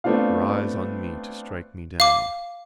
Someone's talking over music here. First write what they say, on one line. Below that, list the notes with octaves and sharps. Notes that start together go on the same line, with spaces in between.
Her eyes on me to strike me down.
A3 B3 C4 D4 F4 F5
F5 D6